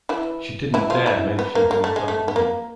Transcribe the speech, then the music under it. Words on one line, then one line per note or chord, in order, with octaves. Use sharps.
She didn't dare mention him in front of me.
E3 E4
E3 E4
F3 F4
E3 E4
B3
A#3
A#3
A3
G#3
A3
B3
A#3